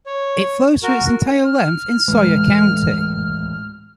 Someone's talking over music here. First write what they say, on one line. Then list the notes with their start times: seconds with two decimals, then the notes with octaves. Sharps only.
It flows for its entire length in Sawyer County.
0.06 C#5
0.83 F#4 A#4
1.44 F6
2.08 D1 A2 E3 G#3